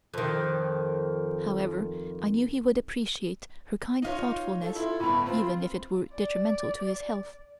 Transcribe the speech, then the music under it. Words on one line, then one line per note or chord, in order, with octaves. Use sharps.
However, I knew he would appreciate her kind thoughtfulness even if it were detrimental to his health.
F2 D#3
D#4 F4 C#5
A4
E4 F4
G1 A2 B5
C4 F4
D5